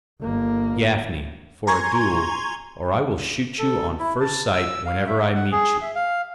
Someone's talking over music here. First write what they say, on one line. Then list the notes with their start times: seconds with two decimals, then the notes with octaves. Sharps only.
Gafney, for a duel, or I will shoot you on first sight wherever I meet you.
0.21 G1 A#3
1.67 G#5 A#5 C6 C#6 G#6
3.59 A4
4.00 E4
4.20 A5
4.53 E6
4.86 F5
5.07 E5
5.35 F#5
5.52 G#4
5.82 E5
5.95 F5